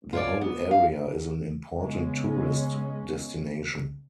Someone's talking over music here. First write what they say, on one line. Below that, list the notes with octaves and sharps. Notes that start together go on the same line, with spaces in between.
The whole area is an important tourist destination.
F4 C#5 D5
B3
F5
C#3 G#3 B3 C#4